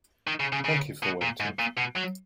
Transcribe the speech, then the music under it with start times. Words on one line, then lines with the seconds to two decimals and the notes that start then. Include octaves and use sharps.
Thank you for waiting.
0.27 D#3
0.40 C#3
0.52 C#3
0.65 C#3
1.03 B2
1.22 A#2
1.40 G#2
1.59 A#2
1.78 B2
1.97 F#3